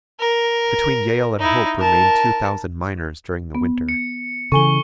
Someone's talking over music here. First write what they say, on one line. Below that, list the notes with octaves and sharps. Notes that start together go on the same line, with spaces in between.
Between Yale and Hope remained two thousand miners during the winter.
A#4
D#4 E4
A#4 A5
B3
C#7
C#3 E3 A4 G#5 C#6 G7